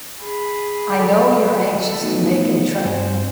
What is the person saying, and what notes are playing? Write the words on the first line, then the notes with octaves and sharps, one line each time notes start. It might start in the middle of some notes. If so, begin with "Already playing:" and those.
I know you're anxious to make a train.
G#4 B5
A4 B5
A4 E5
F#3 A3 B3 D#4 F#4
G2 C4 C5 G#5